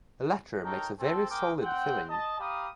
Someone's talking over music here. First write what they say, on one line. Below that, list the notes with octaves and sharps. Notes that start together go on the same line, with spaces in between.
The latter makes a very solid filling.
D#4 A4 A#4 C#5 G5 A#5
C4 A4
C4 G#4 A#4 G5 D6
C4 F#5 G5
D#5 A5
G4 F5 A#5 B5 D#6